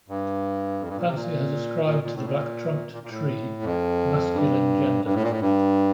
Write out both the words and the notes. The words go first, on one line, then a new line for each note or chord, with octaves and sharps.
Fancy has ascribed to the black-trunked tree a masculine gender.
G2
F2
G2
A#2
C3
A#2
A#2
A#2
A2
A#2
A#2
A#2
A2
F2
G2
G2
A2
A#2
A2
G2